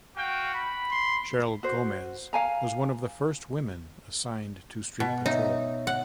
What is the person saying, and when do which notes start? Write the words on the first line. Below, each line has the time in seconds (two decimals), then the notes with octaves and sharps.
Cheryl Gomez was one of the first women assigned to street patrol.
0.17 F#4 F5 G5
0.54 B5
0.92 C6
1.63 F#4 C5
2.33 F5 G#5 A#5
5.00 B2
5.26 D#4 C#5 D#5 E5
5.87 F#5